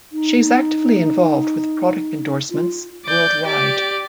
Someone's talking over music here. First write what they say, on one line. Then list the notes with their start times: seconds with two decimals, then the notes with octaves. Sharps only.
She is actively involved with product endorsements worldwide.
0.12 D#4
2.51 F4
3.05 D5 G6
3.45 G4 D5